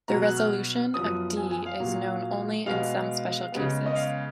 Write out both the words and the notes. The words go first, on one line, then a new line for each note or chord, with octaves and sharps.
The resolution of "D" is known only in some special cases.
B2 F#3 B3 A#5
F#6
F6
F#2 F3 B3 D#6
G#5
G#5
F5
A#2 F#3 A#3
B2 G#3 B3 F5
C#3 G#3 B3
D#5
F5